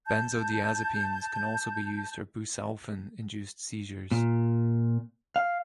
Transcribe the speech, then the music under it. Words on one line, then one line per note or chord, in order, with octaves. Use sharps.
Benzodiazepines can also be used for busulfan-induced seizures.
A5 G6
A#2
F5